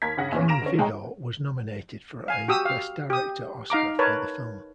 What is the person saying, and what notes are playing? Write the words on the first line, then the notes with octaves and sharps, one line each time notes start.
King Vidor was nominated for a Best Director Oscar for the film.
D#2 A#4 G#6 B6
G2 C#3 F#5 A#6
E2 A#2 E3 C#4
F5 A#5 A#6 D7 E7 F7
D3 C#4
C2 G#3 C#5 D#5 G5 A#5
F5 G#5
F#4 G4 D#6 E6
F5
G4 D#6
D#4 F5 A#5 D6
A#4 B4 C#5 A5